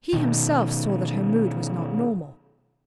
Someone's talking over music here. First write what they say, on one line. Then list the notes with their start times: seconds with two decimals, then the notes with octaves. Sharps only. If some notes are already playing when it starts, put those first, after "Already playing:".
He himself saw that her mood was not normal.
0.13 B2 D#3